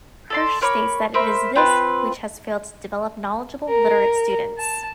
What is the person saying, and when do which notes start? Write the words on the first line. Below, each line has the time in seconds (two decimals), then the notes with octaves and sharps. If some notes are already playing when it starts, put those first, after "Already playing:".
Hirsch states that it is this which has failed to develop knowledgeable, literate students.
0.30 A4 D5 C6
0.61 A#4 C#5 B5 D6
1.14 A#4 C5 E5 B5
1.55 C4 F4 B4
3.69 A#4
4.57 A5